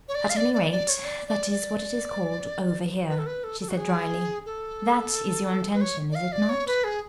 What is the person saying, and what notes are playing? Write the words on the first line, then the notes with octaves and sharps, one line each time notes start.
"At any rate, that is what it is called over here," she said drily. "That is your intention, is it not?"
C#5
D5
F5
D5
D5
D5
C#5
D5
D5
D5
B4
A4
B4
A4
A4
F#4
G#4
A4
B4
C#5
D5
F5
D5
C#5
B4
G#4